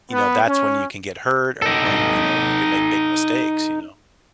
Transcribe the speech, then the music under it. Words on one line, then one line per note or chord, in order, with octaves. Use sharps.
you know, that's when you can get hurt or when, you know, you can make big mistakes, you know?
B3
C#4
D#4 A4